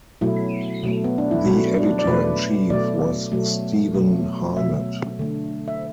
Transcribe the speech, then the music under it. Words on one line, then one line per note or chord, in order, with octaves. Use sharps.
The editor-in-chief was Stevan Harnad.
B2 F#3 A3 E4
B2 F#3 A3
B3
D4
E4
B2 F#3 A3 F#4
D4
D5
B2 F#3 A3 B4
B2 F#3 A3 D5
B2 F#3 A3
B2 F#3 A3
B2 F#3 A3 E5
D3 A3
E5